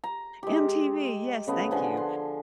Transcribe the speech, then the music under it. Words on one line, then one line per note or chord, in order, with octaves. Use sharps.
MTV, yes, thank you.
A#5
G#3 G4
C#3 A3 B3
D3 F3 B3 G#5
C6